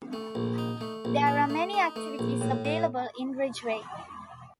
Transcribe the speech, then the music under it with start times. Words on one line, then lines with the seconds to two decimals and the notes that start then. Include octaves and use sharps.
There are many activities available in Ridgway.
0.13 A3
0.35 A#1
0.58 D#4
0.81 A3
1.05 A#1
1.27 D#4
1.50 A3
1.73 D#4
1.96 A3
2.19 A#1
2.41 A2
2.65 A2